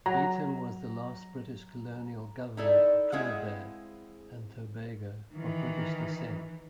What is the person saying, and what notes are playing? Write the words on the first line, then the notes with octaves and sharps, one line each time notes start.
Beetham was the last British colonial governor of Trinidad and Tobago of British descent.
F#3 A#5
D#4 E4 A4 D5
G#3 C4 E4 G#4 F5 F#5
D#3 E3